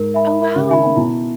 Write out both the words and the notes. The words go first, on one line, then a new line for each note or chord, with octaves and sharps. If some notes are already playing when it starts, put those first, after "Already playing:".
Oh, wow.
Already playing: G#2 A#4
E5 G#5 B5
A#4
C#3
D#3 E5 G#5 B5
B2 E4